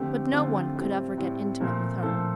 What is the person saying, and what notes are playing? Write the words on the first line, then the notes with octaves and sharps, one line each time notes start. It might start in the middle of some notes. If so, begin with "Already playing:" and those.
But no one could ever get intimate with her.
Already playing: F2 D3 A3 C4 G4
F2 D3 A3 C4 F4
A2 G3 C4
A2 G3 C4
A#2 F3 A3
A#2 F3 A3 A4